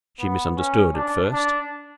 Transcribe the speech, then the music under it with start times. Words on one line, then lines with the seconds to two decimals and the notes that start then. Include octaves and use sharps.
She misunderstood at first.
0.20 B3
0.58 C#4
0.95 D4
1.33 D4